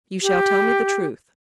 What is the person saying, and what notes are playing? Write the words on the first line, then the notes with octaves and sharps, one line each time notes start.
"You shall tell me the truth."
G4